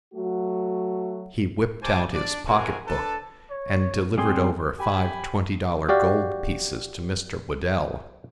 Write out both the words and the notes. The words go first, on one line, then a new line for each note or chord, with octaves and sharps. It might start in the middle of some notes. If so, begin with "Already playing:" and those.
He whipped out his pocket book, and delivered over five twenty-dollar gold pieces to Mr. Whedell.
F#3 A3 F#4
G3 A3 C5 G#5 A5 D6
D4 D5
G#3 C4 E4 F#4 A#4 G#5
D4 A4 B4 A5
C#5
G3 C4 G#4 C6
G4 G#5 B5
F#4 G4 D5 F5